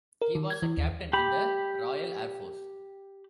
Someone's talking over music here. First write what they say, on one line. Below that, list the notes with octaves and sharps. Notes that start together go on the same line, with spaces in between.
He was a captain in the Royal Air Force.
A#4
D#3
G#6
E3
D#2
G4 B5